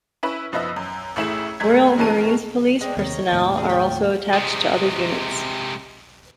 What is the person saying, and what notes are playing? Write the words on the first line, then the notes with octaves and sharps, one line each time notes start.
Royal Marines Police personnel are also attached to other units.
C#4 E4 B4
F#1 F3 B3 D#4 E5 E6
F#2
A1 A3 E4 G#4 E7
F#2 G#3 A3 G#6 B6
E3 G#3 C#4 A#4 A5 D#7
G#3 C4 D4
D#2 C3 D#3 D#4 C#5
D#2 A2 C3
G3 C4 G#4
F4 C#5 G5
C3 G#3